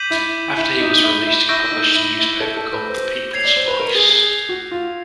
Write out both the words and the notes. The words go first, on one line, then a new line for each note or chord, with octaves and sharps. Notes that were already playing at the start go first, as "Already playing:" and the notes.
After he was released he published a newspaper called "The People's Voice".
Already playing: D6 G6 B6 D#7 F#7
E4
E4
D#4
E4
E4
E4 C#6 E6 G6 A#6 D7
D#4
E4
E4
A4
A4
B4
C5
C#5 G#6 C7 F7
D5
C5
B4
A#4
G#4
G#4
F#4
F4